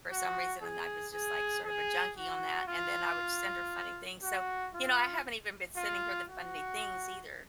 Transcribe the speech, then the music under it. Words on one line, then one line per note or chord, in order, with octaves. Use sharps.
for some reason and I was just, like, sort of a junkie on that, and then I would send her funny things, so, you know, I haven't even been sending her the funny things either
F#4
G#4
G#4
G#4
F#4
F4
F#4
F4
F4
F#4